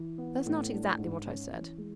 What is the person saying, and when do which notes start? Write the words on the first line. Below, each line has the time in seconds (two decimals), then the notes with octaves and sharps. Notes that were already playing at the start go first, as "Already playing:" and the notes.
"That's not exactly what I said."
Already playing: E3
0.18 B3
0.46 A2
0.71 D4
0.99 G#2
1.26 C#4
1.51 E3
1.78 G#3